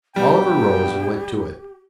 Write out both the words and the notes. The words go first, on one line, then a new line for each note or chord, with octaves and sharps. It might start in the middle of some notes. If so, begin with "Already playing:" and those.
Oliver rose and went to it.
G2 B2 G3 G4 G5